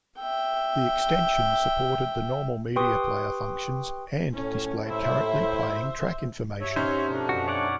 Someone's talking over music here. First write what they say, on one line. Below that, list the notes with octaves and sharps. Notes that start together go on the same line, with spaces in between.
The extension supported the normal media player functions and displayed currently playing track information.
E5 G5
G4 B4 G5 C6 C#6 D#6
A2 C#4
D#2 E4 C5 E5
G2 F#4 C#5 E5 D7
B3 C#4 D#4 C5
D#5
B2 F3 A3 D4 F#4
F#2 B2 C4 F#4
C#5 D5 F#5